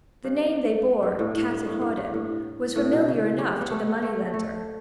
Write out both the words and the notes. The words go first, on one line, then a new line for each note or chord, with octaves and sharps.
The name they bore, "Captain Hawdon," was familiar enough to the money-lender.
G2
G2
A2
A2
G2
A2
G2
G2
A2
A2
B2
C#3
G3
B3
A3
B3
A3
A3